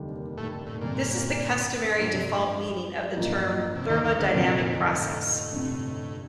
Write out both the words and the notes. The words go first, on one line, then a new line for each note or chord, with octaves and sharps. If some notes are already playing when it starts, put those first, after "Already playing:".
This is the customary default meaning of the term 'thermodynamic process'.
Already playing: F1 D#2 D3 G3
A2 A3
A2
G2 A#2 D3 G3 C4
G2 A#2 F3 A3 D4 G4
C3
A2
A1 G2 F3 A#3 F4
C3
D#2 D#3
D#2 D#3
D2 D3
F1 F2 A#2 D3 F3 C4
A2
G1 F2 C3